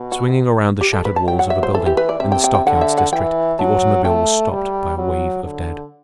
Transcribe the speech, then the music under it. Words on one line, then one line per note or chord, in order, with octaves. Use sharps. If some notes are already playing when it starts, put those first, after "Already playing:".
Swinging around the shattered walls of a building, in the stockyards district, the automobile was stopped by a wave of dead.
Already playing: B2
F#4
G4
A4
B4
A5
F#3 G5
F#5
E5
C5
E3 A4
G4
B4
D5
C3 E5
G5
G5
G5
D3 F#5
E5
F#5
E3 G5
F#3 A5
A3 G5
G3
F#3
D3